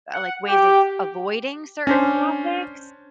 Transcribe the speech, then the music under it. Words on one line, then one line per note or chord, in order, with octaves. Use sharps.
uh, like, ways of avoiding certain topics?
F#5
G4
C#4 D4 C5